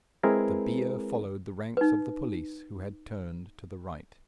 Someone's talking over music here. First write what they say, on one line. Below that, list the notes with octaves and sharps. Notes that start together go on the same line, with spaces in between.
The bier followed the ranks of the police, who had turned to the right.
G#3 C4 E4 G#4 A#4 B4
D#4 B4